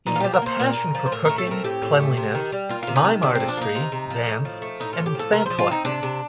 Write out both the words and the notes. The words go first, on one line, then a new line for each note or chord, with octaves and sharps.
He has a passion for cooking, cleanliness, mime artistry, dance, and stamp collecting.
A#2 D#4
F4
F3 G4
A#4
A#3 C5
A#2 A#4
A#2
F3
C5
A2 A#4
A3 A#4
A4
C4 A#4
A2 G4
A2
A3
C3
D#3
G3
A#3 F4
C3 F4
D#4
D#3
C3 D4
F3 C4
D4
A#3 D#4
C3
C3
F3
A2
F3
A3
A2 D#4
A2 F4
G4
F3 A4
C3 A#4
F3 C5
F4
C4 D#4
C3 D4
C3